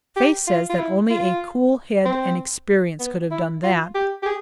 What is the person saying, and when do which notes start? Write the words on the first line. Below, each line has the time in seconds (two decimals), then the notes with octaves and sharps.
Faye says that only a cool head and experience could have done that.
0.16 G4
0.47 F4
0.69 F4
0.78 E4
1.10 F4
2.05 C4
3.00 B3
3.31 E4
3.63 F4
3.95 G4
4.22 G4
4.26 G#4